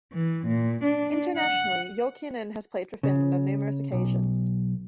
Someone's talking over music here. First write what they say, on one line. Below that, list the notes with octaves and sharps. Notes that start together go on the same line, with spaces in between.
Internationally, Jokinen has played for Finland on numerous occasions.
E3
A#2
D4
F#5
C#3
B1